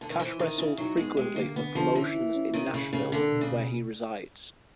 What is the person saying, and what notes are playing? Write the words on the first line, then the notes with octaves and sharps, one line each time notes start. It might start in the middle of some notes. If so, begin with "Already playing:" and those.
Kash wrestled frequently for promotions in Nashville, where he resides.
D3
D#3
E3 C5
D#3 E4
C#3 E4
F#3 D#4
G#3 B3
G#3 G4
D3 A#3
D3 B3
D3 F3
E3 C#4
E4
C#4
D#3 C#4
A#2 C#3
A#2 C#3
D3 A#3
B2
C#3
B2